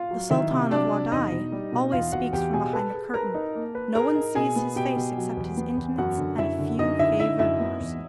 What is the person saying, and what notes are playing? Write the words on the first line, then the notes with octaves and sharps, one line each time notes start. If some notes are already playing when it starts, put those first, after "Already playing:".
The Sultan of Wadai always speaks from behind a curtain; no one sees his face except his intimates and a few favoured persons.
Already playing: F4 F5
F#3
D#3 E4 E5
C3
F#3 D4 D5
C3
E2 D#4 D#5
B2
G3
B2
E2 F4 F5
E2 F#4 F#5
E2 G4 G5
B2 G#4 G#5
A4 B4 A5
G#4
A#4 B4 A#5
D#4
A#3
B4
G#4 A#4 A#5
D#4
B2 G#4 G#5
B3
B2 G4 G5
B2
F#3
E2
B3
E2
F#2 F#4 F#5
D3
F#2 E4 E5
D3
F#2 D#4 D#5
D3 E4 E5
D3 E4 E5
F#2 E4 E5
B3
E2